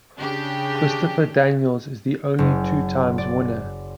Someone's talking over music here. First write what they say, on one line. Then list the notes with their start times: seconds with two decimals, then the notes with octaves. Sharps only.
Christopher Daniels is the only two times winner.
0.17 C#3 D4 G4
2.39 F#1
3.18 D5